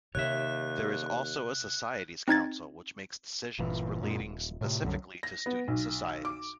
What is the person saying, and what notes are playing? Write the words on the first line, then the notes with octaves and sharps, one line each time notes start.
There is also a Societies Council which makes decisions relating specifically to student societies.
D#2 C3 D#4 C#5 E5 F#6
C4 D#4 G#6 A6
G1 A#2 E3
F#2 A#2 G#3
D#1
A2 C3
C2 F#2 D3 F#3
A#6
B3
B1
D6